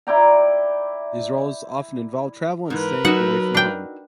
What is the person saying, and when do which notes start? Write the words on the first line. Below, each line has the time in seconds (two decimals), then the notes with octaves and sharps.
These roles often involved travel and staying away from home.
0.07 E4 D5 G5 A#5
2.70 G#2 E3 A#4 B4
3.05 F#3 D#4 F#4 E5 F#5
3.55 D4 G5